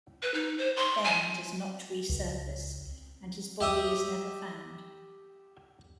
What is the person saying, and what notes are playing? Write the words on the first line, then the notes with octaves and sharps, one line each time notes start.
Ben does not resurface and his body is never found.
B4
D#4
C5
C6
G#5
C#2
G4 E5 D#6